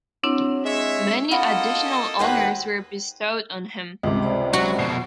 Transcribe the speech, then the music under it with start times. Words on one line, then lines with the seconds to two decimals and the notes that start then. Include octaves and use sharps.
Many additional honors were bestowed on him.
0.23 F#3 C4 D4 E4
0.65 G#3 C#5 E5
1.31 A#3 F4 F#4 A4 D#5 B5
2.19 D#2 F#4 G#4 B4 C5 G5
4.03 C#2 C3 G3 D6
4.23 C5 D5 B5
4.53 F#3 F#4
4.79 F2 B2 C7